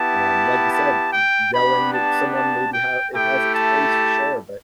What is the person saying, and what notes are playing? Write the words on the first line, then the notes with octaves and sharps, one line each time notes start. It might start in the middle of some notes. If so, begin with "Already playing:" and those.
um, like you said, y yelling at someone, maybe, ha it has its place, for sure, but,
Already playing: B3 E4 G4 A5
A5
G5
B3 D4 G4 B5
A5
A5
G5
A3 E4 G4 G5
A5